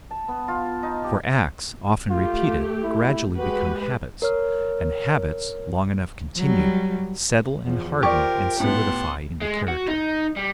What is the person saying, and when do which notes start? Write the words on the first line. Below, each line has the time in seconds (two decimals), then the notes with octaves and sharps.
For acts, often repeated, gradually become habits, and habits, long enough continued, settle and harden and solidify into character.
0.11 A5
0.28 B3
0.48 F4
0.83 D#4
1.04 G4
2.10 A3 F4 G4
2.84 E4
3.37 G#3 F#4 G4 B4
4.22 A#4 C#5 F6
6.37 F#3 G3
7.64 E2 F3
8.03 F4 G4 A#4 C5 D5 C#6
8.60 A2 B3 F#5 A5 C6
9.41 G#3
9.68 F#4
9.88 D#4
10.37 G3